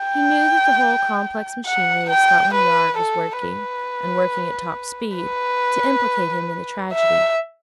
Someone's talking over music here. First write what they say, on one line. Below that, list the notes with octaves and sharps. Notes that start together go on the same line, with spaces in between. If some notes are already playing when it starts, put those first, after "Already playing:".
He knew that the whole complex machinery of Scotland Yard was working, and working at top speed, to implicate him in the tragedy.
Already playing: G5
F#5
G5
B4
A4
B4
B4
E5